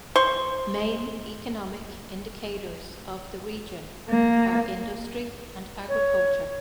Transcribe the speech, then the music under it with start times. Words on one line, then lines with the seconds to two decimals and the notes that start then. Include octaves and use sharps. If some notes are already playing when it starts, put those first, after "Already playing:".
Main economic indicators of the region are industry and agriculture.
0.15 C5 C6 C#6
4.09 A#3
5.88 C#5